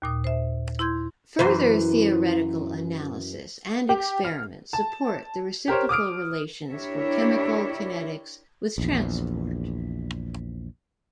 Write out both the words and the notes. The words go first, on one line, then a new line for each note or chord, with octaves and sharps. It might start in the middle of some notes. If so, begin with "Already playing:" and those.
Further theoretical analysis and experiments support the reciprocal relations for chemical kinetics with transport.
D#2 A#2 D#6
C5 E5
E4 C6 G6 G#6
F#2 E3 C5
G4
F6
A5
G4 A#4 C5 C#5
D6 D#6 F6 D7
D4 E4 G4 A#4 C#5 E5
A#1 E2